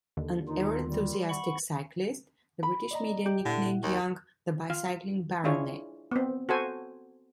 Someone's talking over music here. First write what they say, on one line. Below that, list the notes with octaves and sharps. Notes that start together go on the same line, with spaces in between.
An ever-enthusiastic cyclist, the British media nicknamed Young the "Bicycling Baronet".
D#2 D3
D#3 D#4 F4
G3
F#5 B5 C#6
B5
D5 D#5 A#5
G4
A#2 D3 E4 F#5
D#2
F4 F5
D4 E4 F4 G#4 C#5
B3 C4
F#4 A4 C5 G#5